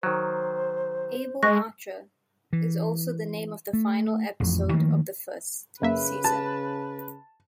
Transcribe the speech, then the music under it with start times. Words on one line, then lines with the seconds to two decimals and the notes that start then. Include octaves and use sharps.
Able Archer is also the name of the final episode of the first season.
0.03 D#3 F#3 C5
1.43 G#3 C#6 F#6 A#6
2.53 E3
3.73 A3
4.40 A1 F2 F3
4.73 D#3 F3 A3 A#3
5.82 F#2 C#3 A#3 B4 E5
6.24 A5